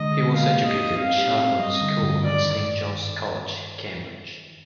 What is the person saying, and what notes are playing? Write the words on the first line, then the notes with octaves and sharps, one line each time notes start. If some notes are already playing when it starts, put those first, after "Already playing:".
He was educated at Sherborne School and Saint John's College, Cambridge.
Already playing: D3 G#3 D#5
G#3
A#3 F5
G4
D#5
D#4
C4 F5
G4
C4
G3 D#5
D3
G2
D#3 D5
D#3